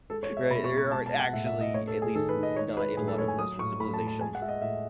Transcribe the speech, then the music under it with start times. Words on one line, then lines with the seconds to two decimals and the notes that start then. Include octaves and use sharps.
right? There aren't actually- at least, not in a lot of Western civilization-
0.10 G#3 A4
0.23 C#5
0.30 G#3
0.37 E5
0.51 B2 B5
0.64 C#6
0.71 B2
0.78 C#6
0.92 G#3 A5
1.06 A5
1.12 G#3
1.19 F#5
1.33 A2 E5
1.46 E5
1.53 A2
1.61 D#5
1.74 A3 C#5
1.88 A4
1.95 A3
2.02 G#4
2.15 D#3 A4
2.29 B4
2.36 D#3
2.43 D#5
2.56 G#3 C#5
2.77 G#3 B4
2.97 A2 G#4
3.08 A4
3.18 A2 C#5
3.28 G#5
3.39 F#3 D#6
3.59 A2 C#6
3.80 A3 B5
3.94 A5
4.00 A2
4.07 A5
4.21 G#3 G#5
4.35 F#5
4.42 G#3 E5
4.48 D#5
4.62 A2 E5